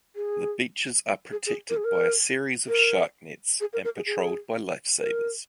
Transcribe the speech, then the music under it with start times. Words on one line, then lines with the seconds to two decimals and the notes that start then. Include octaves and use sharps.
The beaches are protected by a series of shark nets and patrolled by lifesavers.
0.16 G#4
1.31 G#4
1.46 G#4
1.69 A#4
1.77 G#4
1.84 A#4
2.68 A#4
3.60 G#4
3.73 A#4
3.84 A#4
3.96 G#4
4.06 G#4
4.99 A#4